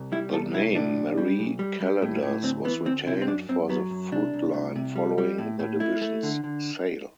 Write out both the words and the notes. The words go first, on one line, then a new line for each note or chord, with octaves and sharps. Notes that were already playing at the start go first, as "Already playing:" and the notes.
The name "Marie Callender's" was retained for the food line following the division's sale.
Already playing: C2
G3 E4
C2 A4
C2 E4
A2 D4
B1
G3
B1
G3
G3
A2
A2
D2 C4
E3 B3
D2 C4
C3 E4
C4
F#2 D4
F#2 C4
F#3 B3
F#2
C2 D4
C2
C2
C3
G3
G3
A2
A2
A3 E4
A3
D3
D3